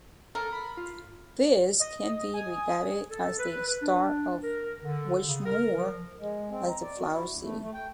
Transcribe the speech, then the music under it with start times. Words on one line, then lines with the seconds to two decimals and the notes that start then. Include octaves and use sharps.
This can be regarded as the start of Wiesmoor as the 'Flower City'.
0.35 A4 A#4
0.52 B5
0.77 F4
1.80 D#5
2.07 D#6
2.34 G#5
3.11 A4
3.38 B4
3.66 B4
3.82 D4
4.43 A#4
4.83 D3
5.27 C#3
5.45 A#4
5.76 F3
6.19 G#3
6.51 C4
6.69 A#5
6.82 D5
6.98 F#4
7.12 E4
7.29 D2
7.43 A3
7.61 A3
7.74 G5